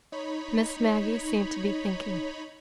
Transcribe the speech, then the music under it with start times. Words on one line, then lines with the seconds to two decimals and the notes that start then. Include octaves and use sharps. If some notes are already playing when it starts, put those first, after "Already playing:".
Miss Maggie seemed to be thinking.
0.12 D#4 C#5 B5